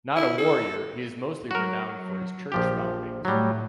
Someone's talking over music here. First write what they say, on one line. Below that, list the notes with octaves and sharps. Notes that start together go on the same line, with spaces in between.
Not a warrior, he is mostly renowned for his church foundings.
E4
A4
F#3 F#4 A#4
A#1 F3 G4
A2 F#3 G3